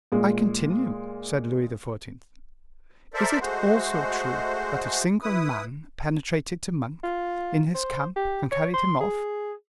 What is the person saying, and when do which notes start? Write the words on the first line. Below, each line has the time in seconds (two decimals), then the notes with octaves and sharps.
"I continue," said Louis XIV.: "Is it also true that a single man penetrated to Monk, in his camp, and carried him off?"
0.12 A#2 G#3
3.14 A4 A#4 C5 D5 E5
3.41 G#3 A3 F#4 C5
5.22 E4 B4 D#6
7.04 F4
7.75 C5
8.16 G4
8.52 C#5
8.74 C6
9.01 G#4